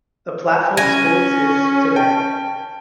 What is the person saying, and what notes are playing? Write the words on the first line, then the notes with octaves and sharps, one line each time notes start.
The platform still exists today.
C#4 G#5 A#6
G5 A5